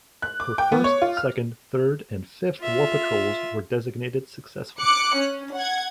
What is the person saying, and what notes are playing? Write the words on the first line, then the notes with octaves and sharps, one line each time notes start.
Her first, second, third, and fifth war patrols were designated successful.
F#6
D6
G5
B3
C#5
F4
F6
F4 E5
D6 F#6 C#7
C#4
F#5 G#6